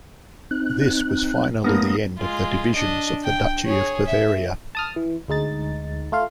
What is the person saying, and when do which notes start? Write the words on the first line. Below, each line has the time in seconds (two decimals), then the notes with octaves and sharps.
This was finally the end of the divisions of the duchy of Bavaria.
0.51 C4 D#4 F#6
1.64 A2 G#3 A#3 B3 D#6 A#6
2.19 G#3 F4
2.75 D4 D#5
3.24 G5
3.65 G#4 C#5
4.06 E5
4.75 A5 D#6 F6
4.96 E3
5.28 D2 G#3 D#4 A6
6.12 A3 F4 F5